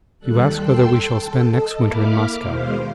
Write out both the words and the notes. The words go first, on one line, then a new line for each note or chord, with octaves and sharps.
You ask whether we shall spend next winter in Moscow.
D#2 G3 A4 F#6
A4 G5 C6 E6
A4
A4 D#5 A5
A#3 E4 B5 D6 F6
D#2 B2 G#3 C5 F5